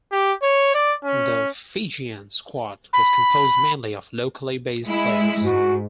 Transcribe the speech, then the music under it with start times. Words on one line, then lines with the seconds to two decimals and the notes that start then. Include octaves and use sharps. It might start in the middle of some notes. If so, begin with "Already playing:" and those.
The Fijian squad was composed mainly of locally based players.
0.12 G4
0.42 C#5
0.74 D5
1.05 C#4
2.93 B5
4.88 G#3 E4
5.45 G#2 F#4